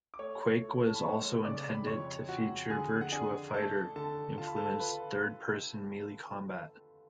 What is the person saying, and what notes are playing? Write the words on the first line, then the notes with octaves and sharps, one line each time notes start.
"Quake" was also intended to feature "Virtua Fighter" influenced third-person melee combat.
D6
A3 C#5 C#6
A3
A5
B5
G#3 C#5 C#6
C#3 D5 D6
B5
F2 C#5 C#6
F2 F#4 F#5
D3 G#4 G#5
F#5
D4 G#4 G#5
A3 A4 A5
D3 A4 A5
F4 A5
B5
A4 A5
F4 B4 B5